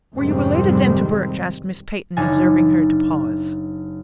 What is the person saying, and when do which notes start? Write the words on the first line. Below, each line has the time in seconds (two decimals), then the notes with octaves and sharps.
"Were you related, then, to Birch?" asked Miss Peyton, observing her to pause.
0.16 F2 G#2 C3 D#3 G3 C4
2.17 F#1 D4 D#4 G#5 A6